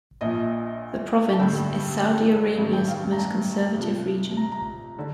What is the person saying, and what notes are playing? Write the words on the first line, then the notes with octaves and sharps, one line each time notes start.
The province is Saudi Arabia's most conservative region.
A#1 A#2 F3 D#5
A5
A1 G2 D3 G5
G5
A5
A1 G2 D#3
G5
F5
G5
A#5
A5
C2 C3 F3
A#5
A#5
D3